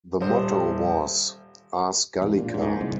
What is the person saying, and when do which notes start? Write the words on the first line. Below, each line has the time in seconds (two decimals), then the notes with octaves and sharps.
The motto was "Ars gallica".
0.21 D#1 G3 C5
2.22 E1
2.38 A#2
2.54 G#2
2.81 C2